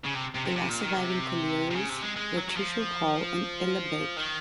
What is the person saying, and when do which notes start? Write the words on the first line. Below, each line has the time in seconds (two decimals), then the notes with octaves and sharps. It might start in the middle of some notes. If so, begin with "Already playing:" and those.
The last surviving collieries were Chisnall Hall and Ellerbeck.
0.06 C#3
0.15 C3
0.36 C3
0.46 C3
0.56 C3
0.69 A#2
0.83 D#3
0.96 C3
1.71 C3
1.76 C#3
1.90 C3
2.02 G#3
2.17 G#3
2.37 F#3
2.49 F#3
2.56 F3
4.17 D#3